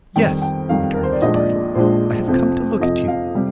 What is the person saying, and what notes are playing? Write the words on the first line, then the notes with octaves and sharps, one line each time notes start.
'Yes,' returned Miss Dartle, 'I have come to look at you.
F2 D#3 G3 G5
G5
F2 D#3 G3 F5
A#4
C5
D5
A#1 A#2 F3 G#3 D4 D#5
D5
A#1 A#2 F3 G#3 D4 C5
F2 C3 F3
F2 C3 F3 D#5
F5
C3 G3